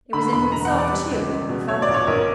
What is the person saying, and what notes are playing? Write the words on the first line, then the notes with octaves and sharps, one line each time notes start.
It was in himself too, he felt that.
D3 B5
E1 B5
E1 A#5
F#5
E2
D5
G3
C#2
C#2
B2
F#3 C#5
D5
A#1
C#5
A#1 A#4